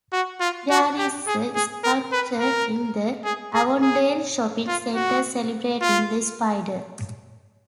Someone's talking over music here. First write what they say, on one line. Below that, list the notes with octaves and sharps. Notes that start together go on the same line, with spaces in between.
There is a sculpture in the Avondale shopping centre celebrating the spider.
F#4
F4
F#4
G4
G#4
G#4
A#4
B4
A#4
G#4
G#4
G#4
F4
F#4
F4